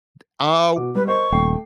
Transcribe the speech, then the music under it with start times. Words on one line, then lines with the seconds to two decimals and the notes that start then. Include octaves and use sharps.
D oh
0.76 B2 F#4 D6
0.95 G3 B4
1.07 A#4 C5 D#5 C#6
1.32 D#1 A3 G5 C7